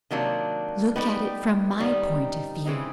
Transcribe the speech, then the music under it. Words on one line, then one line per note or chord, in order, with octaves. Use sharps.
Look at it from My point of view.
C3 D#3 F#3 A#3 D4
G3 B3 D#4 G4 B4
D#3 G3 C4 D#4
C#3 E3 G#3 C4 D#4